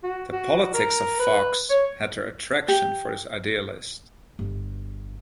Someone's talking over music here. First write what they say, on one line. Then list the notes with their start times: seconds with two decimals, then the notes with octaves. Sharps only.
The politics of Fox had their attraction for this idealist.
0.03 F#4
0.32 F#4
0.74 A#4
1.19 B4
1.70 C#5
2.68 G4
4.39 G1